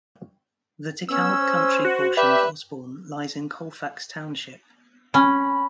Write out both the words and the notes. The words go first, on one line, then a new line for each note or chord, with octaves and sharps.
The DeKalb Country portion of Osborn lies in Colfax Township.
B3 C#4 E6
C5
F#4
G4 B4 D5 E5
C#4 B5